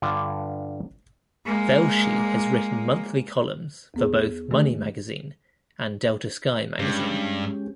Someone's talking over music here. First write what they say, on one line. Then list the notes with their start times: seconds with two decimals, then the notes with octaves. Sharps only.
Velshi has written monthly columns for both "Money Magazine" and "Delta Sky" magazine.
0.02 G2 D3 F4
1.46 G#3 A#3
3.94 E2 B3 G#4
4.51 D#3 E3 A3 G4
6.79 G2 G#3 C#4 G4